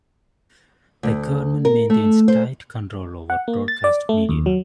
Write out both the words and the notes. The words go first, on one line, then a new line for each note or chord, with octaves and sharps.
The government maintains tight control over broadcast media.
D2
A#4
A3
C5
F#5
A#3
A6
D5
A3
D#2
F#3